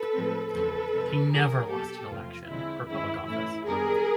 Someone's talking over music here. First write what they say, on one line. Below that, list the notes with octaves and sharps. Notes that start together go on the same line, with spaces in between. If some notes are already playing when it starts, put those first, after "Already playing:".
He never lost an election for public office.
Already playing: A4 B4
A2 F3 G#3 C4
E2 C#3 F3 A3 C4 A4 B4
F2 C3 D#3 G#3 C4
D3 F3 A#3 G#4 A#4
B2 F#3 A#3 G4 A4
E2 C3 F3 A3 C4 F4
D3 F3 G#3 C4 E4
G2 D#3 G#3 C#4 E4
A2 E3 A3 C#4 E4
F#2 D#3 G3 B3 D4 G#4 A#4